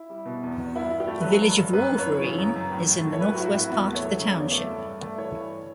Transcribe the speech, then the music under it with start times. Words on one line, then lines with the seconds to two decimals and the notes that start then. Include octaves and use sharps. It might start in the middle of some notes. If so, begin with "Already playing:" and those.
The village of Wolverine is in the northwest part of the township.
Already playing: E4
0.10 G3
0.25 B2
0.43 E2
0.59 E2
0.75 G2 E4
0.91 G2
1.00 G4
1.08 A3
1.21 B4
1.24 F#3 A4
1.41 G2
1.57 G2
1.73 F#2 B4
1.89 F#2
1.99 C#5
2.06 E3
2.23 C#3
2.39 F#2
2.56 F#2
2.72 A2
2.88 A2
3.05 A3
3.13 C#5
3.21 F#3 B4
3.28 G4
3.33 F#4
3.37 A2 E4
3.46 F#4
3.54 A2 E4
3.70 E2 F#4
3.87 A3
3.95 C#5
4.03 F#3
4.20 C#3
4.29 D5
4.35 E2 C#5
4.51 A3 D5
4.69 G2
4.86 G2
5.01 A3
5.18 E3 C#5
5.34 G2